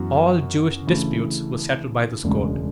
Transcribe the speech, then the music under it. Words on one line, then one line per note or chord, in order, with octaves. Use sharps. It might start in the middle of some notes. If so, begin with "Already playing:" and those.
All Jewish disputes were settled by this court.
Already playing: F#2 E3 B3 F#4
D2 C#3 E3 A3 E4
E1 D2 C#3 G#3